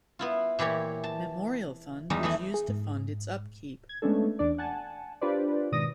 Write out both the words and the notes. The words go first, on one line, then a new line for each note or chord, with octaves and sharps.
Memorial Fund was used to fund its upkeep.
B3 E4 F4
A#2 E3 E4 G4 C#5
A5
E2 G3 G#3 D#4
E3 A3 E4 D#5
G#4
G#2
G#6
G#3 A3 B3 C#4 D4 A4
E2 D4 D5
F#5 G#5 A5
D4 F4 G4 B4 C5 D5
G#2 B2 D#3 D5 D#6 A#6